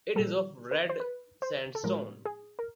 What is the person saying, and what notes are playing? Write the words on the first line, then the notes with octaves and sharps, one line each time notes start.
It is of red sandstone.
A#2 G3 A4
B4
C5
B4
C5
A4
A2 F3 G#3 A#4
G#4
A#4